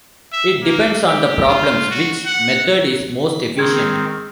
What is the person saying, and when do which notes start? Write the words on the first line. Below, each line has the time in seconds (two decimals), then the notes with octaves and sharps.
It depends on the problems, which method is most efficient.
0.32 E5
0.63 A#3
1.07 G4
1.47 F4
1.90 F#4
2.26 F#5
3.57 D#3 C4 G#4 G#6